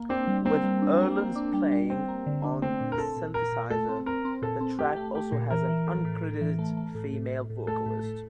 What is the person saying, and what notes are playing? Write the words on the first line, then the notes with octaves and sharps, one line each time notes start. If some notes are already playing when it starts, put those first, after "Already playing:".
With Earland's playing on synthesizer, the track also has an uncredited female vocalist.
Already playing: A#3
C4 D4
G3
A#3 C4
G3
D4
A#3
A#3
D4
G3
G3
G3 C4
A#3
D3
D4
A3 C4
A#2
A#4
C4 A4
A#2
A#2 A#4
A#2
A3 A4
C4
C4 A#4
C4
A#2 A4
C4
A3 G4
A3
A3 G4
A#2
E3 A#4
E3
A2
A2
A2
E3
A3
A3
A2
A2
A2
A2
A3 A4
A2
A2